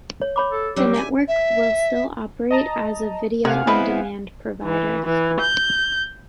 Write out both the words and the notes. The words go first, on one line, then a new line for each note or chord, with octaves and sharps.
The network will still operate as a Video On Demand provider.
C#5
C#5 B5 D6
A4
F#3 G3 C4 G4
E5 G5 G#5
E5
D#5 A5 A#5
C3 A#4 F5 F#5 G#5
G#3 B3 C4 E4 B4 B5
E3
E3
G6